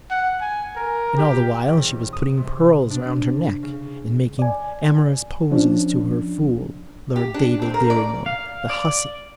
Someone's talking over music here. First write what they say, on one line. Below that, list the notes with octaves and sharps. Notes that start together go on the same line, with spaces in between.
And all the while she was putting pearls round her neck, and making amorous poses to her fool, Lord David Dirry-Moir; the hussy!
F#5
G#5
A#4
G4
E1
D#6
C3
D4
C#3
D5 G#5
F3 C#4 D4
G4
D4
C4
A#4
D5
F5
D5